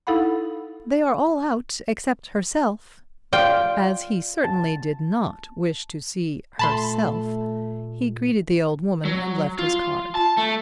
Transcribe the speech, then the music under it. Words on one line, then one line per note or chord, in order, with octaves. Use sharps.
"They are all out,--except herself." As he certainly did not wish to see "herself," he greeted the old woman and left his card.
D#4 E4 A4 F5 F#5 B5
F4 D5 G5
A5
A#2 A3 A5 B5 C6
F#3
F4
A5
A3